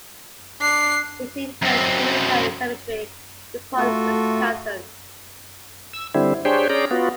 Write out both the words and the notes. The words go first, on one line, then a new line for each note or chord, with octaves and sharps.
He is interred at Hillside Cemetery, Ripon, Wisconsin.
D4 C7
F#2 C4
A3 F4 F#4 A4
E6
D3 G3 C4 E4
D4 G4 G#4 C5 C#5 G5
C#4 G#4 D5 G5 A#5
B3 F4 F#4